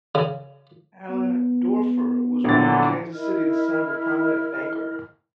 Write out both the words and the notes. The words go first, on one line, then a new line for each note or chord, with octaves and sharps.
Allendoerfer was born in Kansas City, the son of a prominent banker.
C#3
B3
A#1 D3 E3 F#3 A6
E4 A#4 D#5 F6